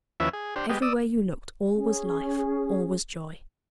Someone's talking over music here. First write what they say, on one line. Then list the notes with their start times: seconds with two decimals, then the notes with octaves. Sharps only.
Everywhere you looked, all was life, all was joy!
0.20 D#2 F3 C#4 E4 B4 E5
0.33 G#4
0.56 D4 G4 C5
0.69 G3 G#3 B3 G4 D#5
0.82 D5 D#6 E6
1.76 C#4 G#4